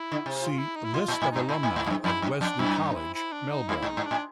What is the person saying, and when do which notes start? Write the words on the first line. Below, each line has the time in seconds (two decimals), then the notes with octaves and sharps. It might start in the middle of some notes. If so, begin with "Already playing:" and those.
See "List of alumni of Wesley College, Melbourne".
Already playing: E4
0.12 D3
0.26 C3
0.39 F4
0.58 E4
0.76 D#4
0.85 E4
0.94 B2 F4
1.08 A#2
1.12 E4
1.22 A2
1.31 G#2 D#4
1.49 A#2 E4
1.63 A2
1.76 G#2
1.86 G2
1.90 F#2
2.04 F2 E4
2.22 F#2
2.41 F2 D4
2.59 F#2 E4
2.77 D#4
2.96 E4
3.14 E4
3.32 D4
3.51 D#4
3.69 G2 E4
3.82 G#2
3.87 D#4
3.97 G#2
4.06 A2 D4